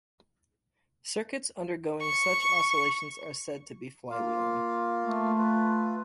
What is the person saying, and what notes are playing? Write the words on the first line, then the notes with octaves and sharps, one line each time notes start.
Circuits undergoing such oscillations are said to be flywheeling.
C#6
A#3 F4 F5
A3
F4 B4